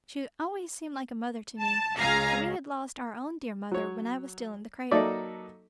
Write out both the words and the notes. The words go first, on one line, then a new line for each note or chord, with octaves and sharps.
She always seemed like a mother to me, for we had lost our own dear mother when I was still in the cradle.
A5
C#2 F5 G#5 A#5
F#3 C#5
F#3 A#3 D#4 A4 D5 E5